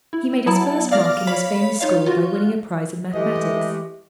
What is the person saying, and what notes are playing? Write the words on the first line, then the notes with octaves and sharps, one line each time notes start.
He made his first mark in this famous school by winning a prize in mathematics.
E4
F#3 B3 E4 A5
D5 F5 D6 F6 A#6
C#5 F5 B5 B6
D#4 F4 C#5 F5
F4 F#4
E3 G#3 A3 G4 D#5